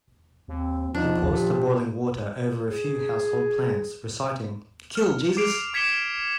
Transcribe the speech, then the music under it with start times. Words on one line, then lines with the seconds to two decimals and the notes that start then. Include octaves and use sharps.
He pours the boiling water over a few household plants, reciting "Kill Jesus".
0.48 D#2 C4
0.94 E2 F3 D4 D#4
1.31 A#2 G4
2.67 G#4
4.95 F6
5.37 D6 C7 D7 F7
5.74 D6 G#6 B6 C#7 E7 G7